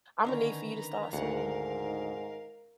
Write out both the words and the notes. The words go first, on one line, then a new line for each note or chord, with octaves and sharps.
Imma need for you to start swinging,
D3 D#3 C#4 B4 A#5
D2 G#2 A#4 F5 F#5